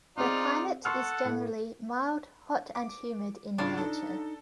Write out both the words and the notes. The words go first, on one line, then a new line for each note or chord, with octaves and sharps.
The climate is generally mild hot and humid in nature.
C4 D#4 F4 G#4 D5
A4 F#5 C6 C#6 F6
A2
D6
G#1 C#3 D4 F4
D#4 A4